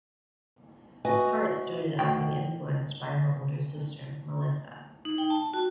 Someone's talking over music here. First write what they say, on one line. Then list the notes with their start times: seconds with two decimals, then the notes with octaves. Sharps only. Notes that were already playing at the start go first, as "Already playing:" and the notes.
Hart started acting influenced by her older sister Melissa.
1.05 F#4 B4 D#5 E5 G#5
1.99 D2 B2 G5
5.05 D#4
5.18 G5
5.30 A5
5.54 F#4